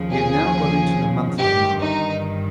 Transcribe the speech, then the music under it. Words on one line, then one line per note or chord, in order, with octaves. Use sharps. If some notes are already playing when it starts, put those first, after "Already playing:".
We had now got into the month of March.
Already playing: D#2 C#3 F3
G#4
G1 G2 D#3 G4
D#4